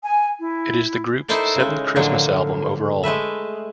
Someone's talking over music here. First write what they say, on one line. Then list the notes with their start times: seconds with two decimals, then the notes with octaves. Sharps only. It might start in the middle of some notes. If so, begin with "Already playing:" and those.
It is the group's seventh Christmas album overall.
0.04 G#5
0.40 E4
1.29 D#4 E4 A4 A#4 C5 D5
1.56 C#3 G#3
1.96 A2 D3 F3 F#3 A#3
3.03 G#3 A3 B4 E5